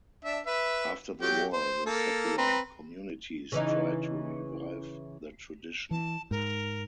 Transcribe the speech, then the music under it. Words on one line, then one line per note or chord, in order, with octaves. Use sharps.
After the war the secular communities tried to revive the tradition.
D4 E5
B4 E5
F#3 G4 G5
C5
A#3 A4
C4 B4 A#5
C#3 E3 D#4
E3 A5
G#2 A#4